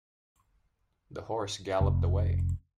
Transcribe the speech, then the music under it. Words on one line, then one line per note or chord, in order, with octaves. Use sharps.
The horse galloped away.
F1